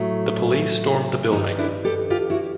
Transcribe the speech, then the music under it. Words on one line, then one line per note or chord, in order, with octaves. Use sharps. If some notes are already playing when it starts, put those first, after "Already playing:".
The police storm the building.
Already playing: A2 F#3 A3
G2 D#3 G3 C#4 D#4
D4 E4
G4 A4
F4 G4
E4 F#4